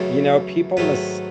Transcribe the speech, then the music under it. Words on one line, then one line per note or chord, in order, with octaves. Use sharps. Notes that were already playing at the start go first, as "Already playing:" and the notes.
You know, people mis
Already playing: F#2 C#3 E3 A3
G#2 D#3 F#3 A3 B4